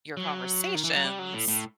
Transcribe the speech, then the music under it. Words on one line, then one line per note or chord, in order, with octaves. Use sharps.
your conversations
F#3
D#3
E3
F#3
G3
F#3
A2
A2